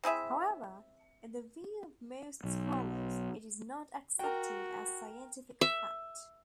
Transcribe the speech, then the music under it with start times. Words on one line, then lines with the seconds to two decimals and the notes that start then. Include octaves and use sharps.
However, in the view of most scholars, it is not accepted as scientific fact.
0.04 C4 E4 G#4 E5
2.44 B1
4.19 F#4 A#4 G5
5.61 E5